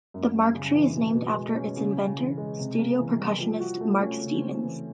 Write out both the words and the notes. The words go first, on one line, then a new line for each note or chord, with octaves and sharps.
The mark tree is named after its inventor, studio percussionist Mark Stevens.
F#2
G3
C#3
E3
B2
B2
G#3
C#4
C#3
C#3
E3
G#3
C3
A#3
E3
G3
F3
F#4
A3
C#4
C#3
C4
E3